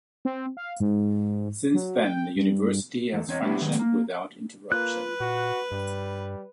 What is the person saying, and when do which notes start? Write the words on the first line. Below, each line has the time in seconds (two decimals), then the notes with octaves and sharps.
Since then the university has functioned without interruption.
0.25 C4
0.57 F5
0.80 G#2
1.74 F#3
2.04 G5
2.36 G2
3.13 E2 A3
3.27 E2 C4 C#5 D#5
3.42 G3 B3 D4 E4 F#4 G4
3.60 D#3 F#3 G#3 B3 C4
3.79 A#3
4.72 A#3 F4 B4 F#6
5.20 A#2 F#4
5.72 G2 G3